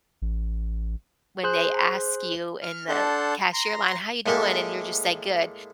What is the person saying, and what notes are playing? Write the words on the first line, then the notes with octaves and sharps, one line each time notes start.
when they ask you in the cashier line, "How you doing?" And your just say, "Good.”
A1
G#4 C5 F#6
F6
D4 A4 F#5 A5 C6 G6
A#5 C6
A2 G#3 A#3 G4 A4